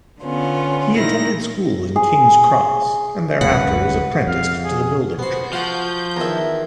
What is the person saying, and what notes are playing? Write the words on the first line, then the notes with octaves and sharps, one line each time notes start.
He attended school in King's Cross, and thereafter was apprenticed to the building trade.
D3 B3 C#4 F4
A#2 D#3 E4 A#6
G#4
D1 C#2 F#2 B4 F#5
F2 F5
G#4
B3 F#4 C5 C6
F3 F4 F#4 F#5 C6 G6
E2 D#3 E5 A#5